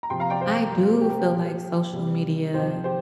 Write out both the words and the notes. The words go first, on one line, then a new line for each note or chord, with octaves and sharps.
I do feel like social media
A#5
C3 F3 G5 C6
F5 A#5
D5 G5
C5 F5
C3 G3
G4
A#4
G4
A#2 F3
C3 G3
C3 F3 G4 C5
G4 C5